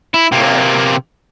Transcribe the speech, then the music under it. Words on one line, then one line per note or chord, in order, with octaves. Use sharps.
go ahead.
E4
C3 A#3